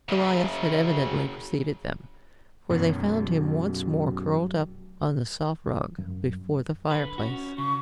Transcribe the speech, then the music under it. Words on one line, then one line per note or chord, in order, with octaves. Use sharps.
Goliath had evidently preceded them, for they found him once more curled up on the soft rug before the fireplace.
F#2 C#3
F#2 B2 F#3
F#2
D3 B4
C#4 F#4
C#3 C#6